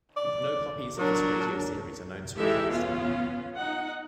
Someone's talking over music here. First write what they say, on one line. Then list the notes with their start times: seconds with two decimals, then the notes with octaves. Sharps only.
No copies of this radio series are known to exist.
0.16 D5
0.98 F#3 D4 A#4
2.37 E3 G#3 D#4 G4 A4 E5
2.71 B3 C#4 F4 F5
3.56 D#4 F#5